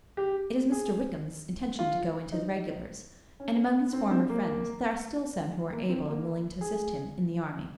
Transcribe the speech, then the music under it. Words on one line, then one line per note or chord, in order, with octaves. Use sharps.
It is Mr. Wickham's intention to go into the regulars; and among his former friends, there are still some who are able and willing to assist him in the army.
G4
G#4
F4
D#4
C#4
C4
C4
A#3
A#3
C4
A#3
G#4